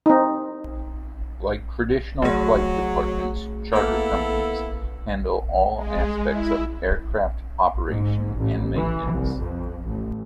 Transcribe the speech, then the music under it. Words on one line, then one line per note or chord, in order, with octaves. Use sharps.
Like traditional flight departments, charter companies handle all aspects of aircraft operation and maintenance.
C4 D#4
F1 F#3 A3 G#4
A#3 B3 E4 A4
G#3
E4
G#2
A1
E3
C2
F2
A1